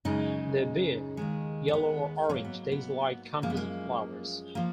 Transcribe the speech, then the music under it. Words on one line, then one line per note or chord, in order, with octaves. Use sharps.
They bear yellow or orange daisy-like composite flowers.
F#2 C#3 G#3 D#4
D#2 D#3 G#3
C#4
B3
G#2 F#3 A#3 C#4
B3
B3
F#2 F3 G#3 A#3
B3
A#3
F3 A#3